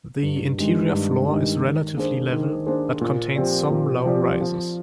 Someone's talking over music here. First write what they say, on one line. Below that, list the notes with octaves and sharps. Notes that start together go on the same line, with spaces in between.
The interior floor is relatively level, but contains some low rises.
G2
D#3 G#3 D4 G4
G2
D#3 G#3 D4 G4
D#3
A#3 D4 G#4 C5
D#3
A#3 D4 G#4 C5
A#2
F3 C4 G4 D5
A#2
F3 C4 G4 D5
F3